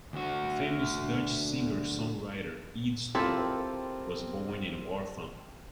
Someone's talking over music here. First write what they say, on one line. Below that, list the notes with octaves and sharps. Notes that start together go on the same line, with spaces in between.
The famous Dutch singer-songwriter Ede Staal was born in Warffum.
D2 F#4
C4 E4 F4 G4 A4 A#4 C5 C6